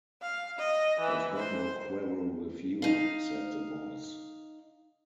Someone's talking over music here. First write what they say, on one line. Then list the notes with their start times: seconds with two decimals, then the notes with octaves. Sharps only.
"I've got no quarrel with you," said the Voice.
0.22 F5
0.59 D#5
1.00 E3
1.37 C5
2.82 D#4 F5